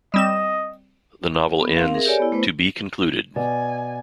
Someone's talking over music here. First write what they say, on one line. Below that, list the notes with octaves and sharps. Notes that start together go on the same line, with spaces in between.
The novel ends "To Be Concluded".
G3 C4 D#5 E7
B3
C4 A#4 F5
G#4 A#4 E5
G4 A4 C#5 D5 G#5
B3 E4
A3 B3 E4 B4 C5
B2 D5 G#5